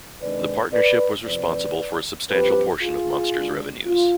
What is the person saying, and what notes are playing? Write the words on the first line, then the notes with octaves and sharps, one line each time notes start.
The partnership was responsible for a substantial portion of Monster's revenues.
C3 D#3 G#3 D4 B4 D5
B4 D5
F2 C3 F3 C4 B4 D5
G2 F3 C4 G4 B4
F4 G#4
D3 G#3 D4
F4